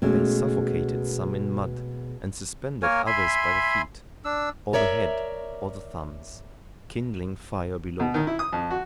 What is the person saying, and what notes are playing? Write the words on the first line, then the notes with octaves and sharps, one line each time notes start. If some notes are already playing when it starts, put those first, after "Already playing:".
They suffocated some in mud, and suspended others by the feet, or the head, or the thumbs, kindling fires below them.
B2 G#3 A3 C#4
A#3 A#4 C#5 G#5
E5 G#5 B5 C6
D4 E6
A#4 C#5 D5 E5
B2
D#3
E4
D#6
F2
F#4